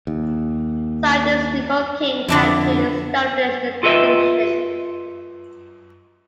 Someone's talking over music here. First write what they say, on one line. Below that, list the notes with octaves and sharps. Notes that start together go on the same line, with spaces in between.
Scientist Nicole King helped to establish the distinction.
D#2
F2 D3 D4 E4
F4 A4 B4 D#5 E5